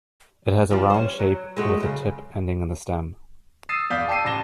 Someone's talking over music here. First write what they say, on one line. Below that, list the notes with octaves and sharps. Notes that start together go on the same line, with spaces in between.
It has a round shape with a tip ending in the stem.
F3 G3
C#4 C5
F#3
G#3 A3 F#4
F#2 C#3
D#6 E6 A6 C7 D#7 E7
E2 D5 F5 D#6 G6 B6
G5 A5 D6 E6 C7 D#7
A1 D5 A5 A#6 E7 G7